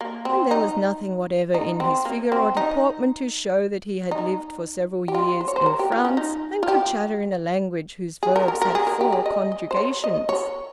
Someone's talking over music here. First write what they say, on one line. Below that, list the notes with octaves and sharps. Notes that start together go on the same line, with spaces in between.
And there was nothing whatever in his figure or deportment to show that he had lived for several years in France and could chatter in a language whose verbs had four conjugations.
A#3
C4
D#4
D#4
C4
A#3
C4
D#4
D#4
G4
F4
C5
C#5
C5
A#4
G4
F4
C#4
D#4
F4
G4
G#4
A#4
A#4
A#4
G#4
A#4
G4
G#4
D#5
D#5
C5
C#5
D#5
C#5